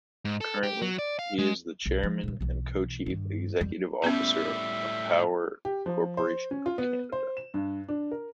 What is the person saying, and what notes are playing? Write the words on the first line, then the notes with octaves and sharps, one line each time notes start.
Currently he is the Chairman and Co-Chief Executive Officer of Power Corporation of Canada.
G#2
A4
G4
F#3
D5
F5
G#3
B1
F3
A#2 C#3
B1 E3
G2 D#3
F2 G3
A2 G3 B3 C#4 E5
G4
F3
C5
C#4
F4
B3
C5
E7
G2
D4
A#4